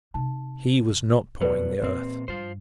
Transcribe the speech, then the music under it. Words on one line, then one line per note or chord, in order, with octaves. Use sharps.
He was not pawing the earth.
C3 D#4 A5
F#2 B2 F#3 B4 D5
A#2 E3 C4
G2 F4 C5